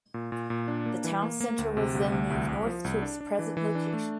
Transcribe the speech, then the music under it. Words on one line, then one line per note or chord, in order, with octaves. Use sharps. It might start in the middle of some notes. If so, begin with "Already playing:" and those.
The town center was then moved north to its present location.
A#2
A#2
A#2
D4
A#3
E3
A#3
A#3
D2
C3
D2
D2
C2
C2
F3
C2
D4
D4
E3
E3
D4
A3